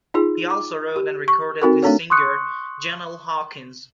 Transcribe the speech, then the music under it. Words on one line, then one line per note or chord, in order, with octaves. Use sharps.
He also wrote and recorded with singer Jennell Hawkins.
D#4 F4 G#4
D6
G4
C#6
C4 D#4 F#4 A4 A#4
A3 C4 D4 A4 C#5
C6 C#6 D#6 F#6 C#7